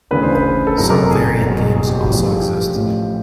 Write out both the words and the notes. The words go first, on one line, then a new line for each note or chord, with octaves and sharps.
Some variant games also exist.
D2 C#3 E3 B4
C5
B4
A4
F#1 F2 C#3 F#3 A#4
A#4
A4
G#4
F#1 E2 B2 F#3
G#4
G4
F#4
A1 A2 F3 G4
A4
G#4
G4
A1 A2 F3